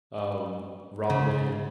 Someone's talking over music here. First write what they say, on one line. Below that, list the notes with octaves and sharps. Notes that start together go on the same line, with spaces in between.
um, ramen;
C#3